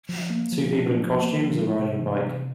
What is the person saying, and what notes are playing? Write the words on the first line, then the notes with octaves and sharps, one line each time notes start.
Two people in costumes are riding a bike.
F3
A#3
F3
D4
F3
A#3
F3
G#3
C3
E3
C3